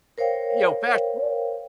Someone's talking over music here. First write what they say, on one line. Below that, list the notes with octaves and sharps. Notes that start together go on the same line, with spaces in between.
you know, fast forward
A#4 C5 C#5 F5 G5